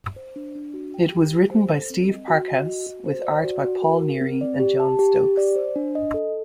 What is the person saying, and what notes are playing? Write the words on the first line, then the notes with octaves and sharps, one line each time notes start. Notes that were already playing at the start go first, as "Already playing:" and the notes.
It was written by Steve Parkhouse with art by Paul Neary and John Stokes.
C5
D4
D4
F#4
G5
G4
G4
C5
A4
C4
D#5
F#4
D#5
F#4
F#4
C5
D5
F#4
F#4
A#4
A#4
C4
D5
G4
A5
G4
G4
D5
C5
D4
D#5
A4